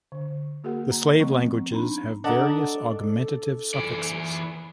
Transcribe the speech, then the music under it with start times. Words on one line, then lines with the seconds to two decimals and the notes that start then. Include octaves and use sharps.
The slave languages have various augmentative suffixes.
0.12 D3
0.64 A#3 F#4 G#4 A#4 F#5
0.91 A#5
1.19 F3 A3 B3 C4 C#6
1.71 B3 D4 D#4 A#5 B5
2.24 D4 A4 D#5 F#5 A#5
3.74 E3 D5